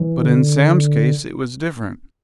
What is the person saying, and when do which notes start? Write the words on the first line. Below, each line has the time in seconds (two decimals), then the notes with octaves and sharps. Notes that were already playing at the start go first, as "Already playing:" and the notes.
But in Sam's case it was different.
Already playing: E3
0.23 D3